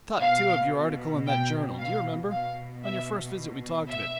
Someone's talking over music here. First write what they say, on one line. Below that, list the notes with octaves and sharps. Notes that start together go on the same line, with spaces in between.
I thought, too, of your article in that journal, do you remember, on your first visit we talked of it?
B2 F5
G5
F5
B2 F5
E5
E5